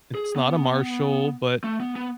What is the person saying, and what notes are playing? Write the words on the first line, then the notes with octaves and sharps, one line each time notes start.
it's not a Marshall, but
G#4
B3
A3
B3
B3